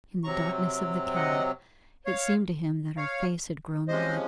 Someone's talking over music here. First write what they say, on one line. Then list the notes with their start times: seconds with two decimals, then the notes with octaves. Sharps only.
In the darkness of the cab it seemed to him that her face had grown whiter.
0.24 C3 F#3 C4 A#5 C#6
1.15 D#5 F#5
2.06 C#5 F5
2.97 C#5 F5
3.88 C3 F3 G#3 C#4 C5 D#5